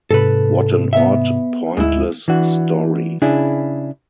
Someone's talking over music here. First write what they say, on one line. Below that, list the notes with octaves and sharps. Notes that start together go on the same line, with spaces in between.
What an odd, pointless story!
G#2 C3 A4 B4
B3 E5
D2 G#2 G#3 E4
E3 D4 F#4
C#3 D4 E4 G#4